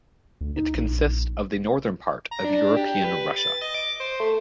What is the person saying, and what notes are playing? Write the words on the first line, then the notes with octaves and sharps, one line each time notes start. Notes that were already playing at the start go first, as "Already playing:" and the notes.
It consists of the northern part of European Russia.
D2
D#4
A#1
A#5
D4
G4
B4
A6
D#5
D6
C5
A3